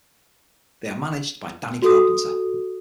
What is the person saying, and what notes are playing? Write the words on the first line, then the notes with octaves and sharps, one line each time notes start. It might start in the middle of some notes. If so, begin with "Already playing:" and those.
They are managed by Danny Carpenter.
F#4 A4 D#6